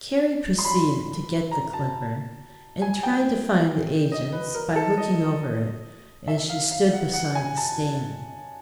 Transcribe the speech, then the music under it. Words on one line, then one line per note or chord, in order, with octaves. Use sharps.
Carrie proceeded to get the "Clipper," and tried to find the agents by looking over it as she stood beside the stand.
C6
B5
A#5
A5
G#5
G5
D#5
B4
A#4
A4
D#5
E5
F5
F5
F#5
F#5
G#5
A5